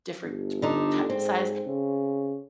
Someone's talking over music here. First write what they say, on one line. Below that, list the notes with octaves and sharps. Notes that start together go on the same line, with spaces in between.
different t ta size,
G1
D3 D#4
G#2 C4
C#3